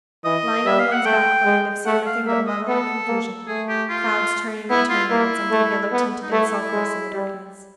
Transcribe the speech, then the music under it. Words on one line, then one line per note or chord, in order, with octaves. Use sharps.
Lying on one's back one would have seen nothing but muddle and confusion--clouds turning and turning, and something yellow-tinted and sulphurous in the darkness.
E3 D#5
G3 E5
F5
F#5
A3 G5
G#3
A3 F#5
F5
A#3 E5
D#5
B3 A4
A#3
A3 G#4
G4
F4
B3 E4
F4
A#3 E4
A3
B3
D#4
A3 E4
G#3
G3